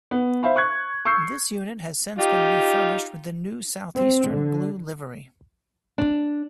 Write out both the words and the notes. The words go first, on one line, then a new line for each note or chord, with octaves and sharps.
This unit has since been refurbished with the new Southeastern blue livery.
B3
C5 E5 F5 B5
C#6 F#6 G#6
C#6 E6 G6 C7
D#4 F4 G4
C4
D3
D4